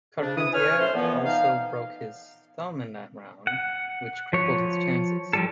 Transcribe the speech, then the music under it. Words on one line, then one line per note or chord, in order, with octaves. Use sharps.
Carpentier also broke his thumb in that round, which crippled his chances.
F2 C#3 D4
E3 E4 D#6
C#4 B4 C#5 G#5 F6
A3 C#4 C5
A#2 E3 F3 B3
D#4 F5
F#5
F3 C#5
F3 G3 A4